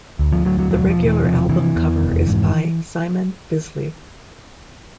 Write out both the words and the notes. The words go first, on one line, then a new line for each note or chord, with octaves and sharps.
The regular album cover is by Simon Bisley.
D2
F3
D2 F#3
F#3
E1 F#3
F3
E1
E3
C3 F3
C3 E3
E2
F1
G#2